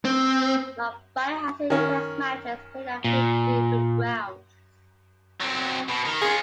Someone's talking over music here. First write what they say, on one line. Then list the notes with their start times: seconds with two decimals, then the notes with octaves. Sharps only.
Mumbai has seen Test matches played at three different grounds.
0.05 C4
1.70 D#3 C#4
3.04 A#2
5.40 F#3 C4
5.89 B2
6.06 D#3
6.22 C#4 F4 G#4